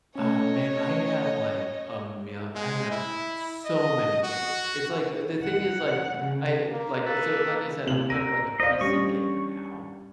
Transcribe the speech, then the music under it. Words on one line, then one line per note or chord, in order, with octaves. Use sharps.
Uh, man, I have, like, a mil I have so many games. It's, like, a the thing is, like, I, like, so, like, I said, I'm kind of, like, a PC gamer now,
A3 C#4 C#5 D#5
G#3
E4
D#5
F#4
F#5
C#3
A#3
A#3 A4 B4
C3 F#7
A#4 E6 D#7
C5 D5 D#5 F5
G3 C#4 D4 C#6